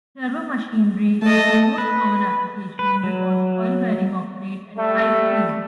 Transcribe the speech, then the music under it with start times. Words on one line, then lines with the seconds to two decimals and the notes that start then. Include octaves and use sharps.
Turbomachinery is the most common application because foil bearings operate at high speed.
1.22 A3 D#5 A5
1.78 B4
2.79 B4
3.04 F#3
4.77 G3 A3